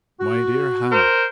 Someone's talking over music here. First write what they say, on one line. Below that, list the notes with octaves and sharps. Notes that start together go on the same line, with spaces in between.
"My dear Hannah!"
F#4
A#4 C5